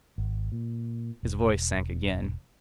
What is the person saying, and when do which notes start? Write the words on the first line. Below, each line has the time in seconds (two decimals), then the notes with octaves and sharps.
His voice sank again.
0.18 G#1
0.52 A#2
1.23 E1